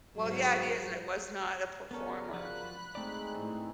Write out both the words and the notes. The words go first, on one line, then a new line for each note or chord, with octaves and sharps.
Well, yeah, it is, I was not a performer.
G#2 F#3
C#3 G3 B3 C#4 A4 A#4
F3 F4 F#4 B5 F#6
G#3 A3 C4 D#4 G#4 D5
A2 E3